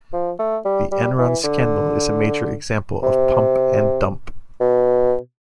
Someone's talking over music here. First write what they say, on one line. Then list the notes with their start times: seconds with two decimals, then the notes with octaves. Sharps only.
The Enron scandal is a major example of pump and dump.
0.13 F3
0.39 A3
0.65 G3
0.92 G3
1.18 E3
1.44 D3
3.03 C3
4.60 B2